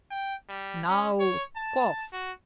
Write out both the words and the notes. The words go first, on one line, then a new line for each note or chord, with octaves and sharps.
"Now cough."
G5
G3
C#4
C#5
A5
F#4